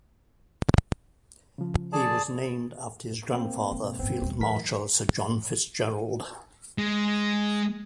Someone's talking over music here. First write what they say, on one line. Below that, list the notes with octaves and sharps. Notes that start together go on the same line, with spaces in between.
He was named after his grandfather, Field Marshal Sir John FitzGerald.
C#3 F3
G#4 D5 A5
A#3 C4
G#2 B2
A#1 G2 B3 C4
D#2 G3
E3 F#3 A#4 B6
G#3